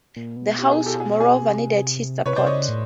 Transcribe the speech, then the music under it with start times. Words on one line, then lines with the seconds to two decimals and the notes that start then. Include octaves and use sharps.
The house, moreover, needed his support.
0.16 A#2
0.37 B2
0.59 G4
0.71 G#4
0.86 G4 A4
1.00 G#4
1.20 G#4
1.42 C3
2.26 C3 B4 C#5
2.36 C3 C5 D5
2.46 C#3 C#5 D#5
2.68 A2